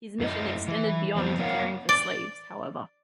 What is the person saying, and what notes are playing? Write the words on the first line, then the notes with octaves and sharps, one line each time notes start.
His mission extended beyond caring for slaves, however.
F#2 A3 E4 D#5
E3
F2 E3 F3 B3 C4
A#3 A#4 C#5 F5 F#5
D5